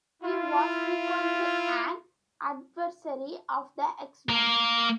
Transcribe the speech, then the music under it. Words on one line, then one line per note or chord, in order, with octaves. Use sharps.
He was frequently an adversary of the X-Men.
E4 F4
A#3 A#4